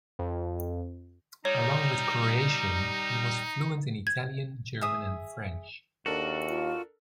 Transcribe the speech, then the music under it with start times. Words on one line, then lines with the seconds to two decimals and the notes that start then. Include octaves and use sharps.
Along with Croatian, he was fluent in Italian, German and French.
0.19 F2
1.45 G3 D#4 C#5 A#5
4.07 G#6
4.81 G#4 E5 D#6
6.06 D#2 D4 F#4 A4 A#4
6.48 F4